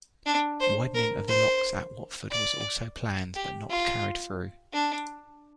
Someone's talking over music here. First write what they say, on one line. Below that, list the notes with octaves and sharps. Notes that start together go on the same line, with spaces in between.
Widening of the locks at Watford was also planned, but not carried through.
D4
C5
A#4
C5
D5
G4
F4
D4